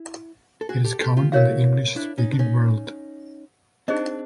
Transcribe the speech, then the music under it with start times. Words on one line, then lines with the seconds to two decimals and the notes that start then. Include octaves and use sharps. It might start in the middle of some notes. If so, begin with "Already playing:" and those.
It is common in the English-speaking world.
Already playing: E4
0.61 A4
0.69 F#4 G#4
0.84 G4 A4
1.01 G4 A4
1.17 F4 G4
1.32 E4 F#4 A#4 C#5 F5
1.96 D4 E4
2.18 C#4 D#4
2.32 D4
2.39 C#4 D#4
3.88 C4 D4 D#4 G#4 C5 D#5